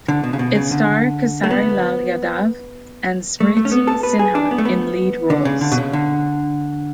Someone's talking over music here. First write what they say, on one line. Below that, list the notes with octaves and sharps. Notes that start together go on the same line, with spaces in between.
Its star Khesari Lal Yadav and Smriti Sinha in lead roles.
D3
B2
C#3
B2
C#3
D3
A3
B3
A3
A3
C#4
B3
A4
B4
G#4
D4
B3
A3
B3
D3
C#3
D3
B2
C#3
D3